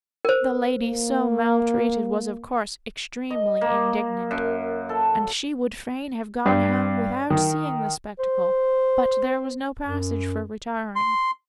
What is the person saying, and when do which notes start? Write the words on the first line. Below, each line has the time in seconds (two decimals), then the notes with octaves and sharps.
The lady so maltreated was of course extremely indignant, and she would fain have gone home without seeing the spectacle, but there was no passage for retiring.
0.25 A#4 C5
0.82 A#3
3.30 D#5
3.61 A#3
4.31 F#2
4.89 A4
6.46 G2
7.30 D#3
8.19 C5
9.85 F#2
10.96 C6